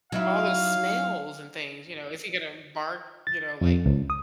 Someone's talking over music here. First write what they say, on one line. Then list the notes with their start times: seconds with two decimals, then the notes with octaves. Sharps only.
All those smells and things, you know, is he gonna bark? You know, like
0.12 F#3 D#4 E4 F5
3.27 A6
3.61 F2
3.86 C#2
4.10 D#6